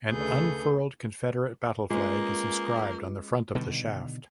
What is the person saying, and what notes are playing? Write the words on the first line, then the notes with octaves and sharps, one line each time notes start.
An unfurled Confederate battle flag is inscribed on the front of the shaft.
D2 C#3 G#4 A4 B4 G6
G#3 A#3 C#4 F4 B4
B2 D3 D#3 G3